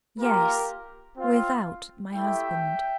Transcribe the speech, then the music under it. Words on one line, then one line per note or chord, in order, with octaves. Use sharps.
"Yes; without my husband."
A#3 F4 G4 A#4
C4 F4
A3 E4 G4 E5 G5